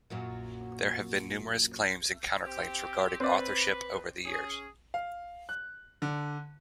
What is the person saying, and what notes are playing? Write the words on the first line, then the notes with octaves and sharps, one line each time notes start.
There have been numerous claims and counterclaims regarding authorship over the years.
F#2 A#2 F#3
C4 G4
C4 B4 D5
C#4 G#4
F5
F#6
D3